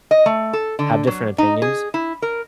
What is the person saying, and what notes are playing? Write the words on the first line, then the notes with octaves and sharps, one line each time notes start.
have different opinions.
D#5
A3
A4
D3
F#3
D#4
G#4
E4
A#4